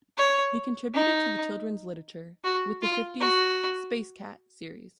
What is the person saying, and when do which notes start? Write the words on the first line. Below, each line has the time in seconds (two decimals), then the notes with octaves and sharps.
He contributed to children's literature, with the fifties "Space Cat" series.
0.18 C#5
0.94 D#4
2.44 F#4
2.82 F4
3.20 F#4